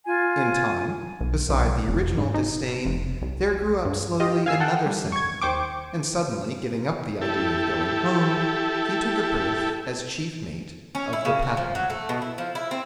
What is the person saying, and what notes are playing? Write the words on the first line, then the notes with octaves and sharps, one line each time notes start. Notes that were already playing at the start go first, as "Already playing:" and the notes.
In time, beside the original disdain there grew up slowly another sentiment; and suddenly, giving up the idea of going home, he took a berth as chief mate of the Patna.
F4 G#5
B1
B1
F1
G#2
D#4
F1
C2
G2
F4 G4 D#5
F5 G#5 E6 C7
A4 F#5 G5
G3
C#6 G#6
D#2 C5 G5 C#6 D6
E4 G4 A4
C#4
E4
C#3
F#4
F3
F#3
A3
B2
E4
F3
E4
C4